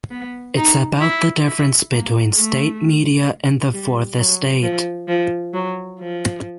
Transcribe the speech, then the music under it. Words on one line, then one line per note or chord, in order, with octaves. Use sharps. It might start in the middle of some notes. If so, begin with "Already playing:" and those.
It’s about the difference between state media and the fourth estate.
B3
D#4
E4
E4
A#3
A3
G3
F#3
F3
F3
F#3
F3